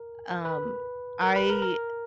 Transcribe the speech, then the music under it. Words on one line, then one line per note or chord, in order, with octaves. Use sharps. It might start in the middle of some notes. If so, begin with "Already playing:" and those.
um, I
Already playing: A#4
B4
A#4
B4
A#4
A#4